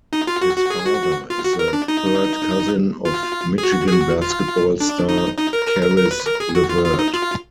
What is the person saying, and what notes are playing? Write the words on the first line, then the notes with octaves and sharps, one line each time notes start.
His father is the third cousin of Michigan basketball star, Caris LeVert.
D#4
F4
F#4
F#4
G#4
F#4
F4
F#4
A#4
D4
D#4
F4
G#4
F#4
G#4
F#4
F4
D4
D#4
D#4
A#4
A#4
A#4
A#4
B4
A#4
G#4
F#4
F4
F4
D#4
F4